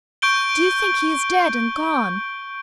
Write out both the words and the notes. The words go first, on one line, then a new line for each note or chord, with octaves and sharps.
"Do you think he is dead and gone?"
C#6 G6 D7 G7